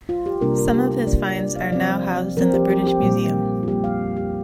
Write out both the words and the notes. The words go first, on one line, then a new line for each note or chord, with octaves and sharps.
Some of his finds are now housed in the British Museum.
F4
G4
C3 G3 A#3 D4 A#4
A#4
G4
G4
C3 G3 A#3 D4 D5
A#4
D5
F5
F3 C4 D5
F3 C4 A#4
G4
G4
G4
A#2 G3 A#3
F4
A#2 G3 A#3 G4
F5
G4